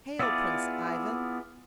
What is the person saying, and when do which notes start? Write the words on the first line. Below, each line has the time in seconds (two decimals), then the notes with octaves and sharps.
'Hail, Prince Ivan!
0.19 B3 E4 F4 G#4 D5